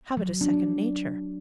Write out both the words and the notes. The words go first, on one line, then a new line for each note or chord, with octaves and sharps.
Habit is second nature.
F#3
D4